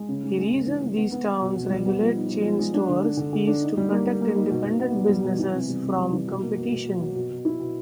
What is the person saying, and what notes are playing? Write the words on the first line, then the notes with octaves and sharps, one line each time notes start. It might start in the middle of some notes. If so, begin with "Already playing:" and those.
The reason these towns regulate chain stores is to protect independent businesses from competition.
Already playing: G#3
C#3
G#3
G#3
C#3
E3
G#3
B3
B3
B3
B2
B2
G3
B3
F3
D#4
F3
F3
G#3
D4
D3
D4
D3
D3
D4
D#4
G3
A#3
A#3
A#3
D#4
B2
B2
B3
G3
G3
B2
E3
C3
G3
C3
G3
E3
B2
A#3
B2
B2
B2
F#3
B2
B2
E4
B2